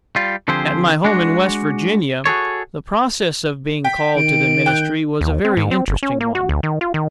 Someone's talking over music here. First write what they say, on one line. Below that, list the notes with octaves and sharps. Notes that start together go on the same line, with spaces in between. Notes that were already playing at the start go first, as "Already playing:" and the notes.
At my home in West Virginia the process of being called to the ministry was a very interesting one.
G3 F4
D3 F3 C4 G4 G#4 C5
G#3 D4 F#4
F#4 G#4 A4 C#5
G5 B6
D#3 D7
G5 F#6 G6
D#2
C4
G#2
C4
G1
C#4
A#3
F#4
D2
D#3
F4
D#3